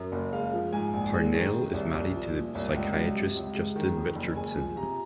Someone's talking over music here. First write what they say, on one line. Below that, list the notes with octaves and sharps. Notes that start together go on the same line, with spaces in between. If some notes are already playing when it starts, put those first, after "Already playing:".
Parnell is married to the psychiatrist Justin Richardson.
Already playing: F#2
F#1
G#3 F5
F3
G#2 G#5
A#1
G#3
D#3
C3
C2
C2
F3
A#2
C2
C#2
F#3
C3
C#2
G#3
D#3
F2
F#1
G#3 G#5
F3
C3 A#5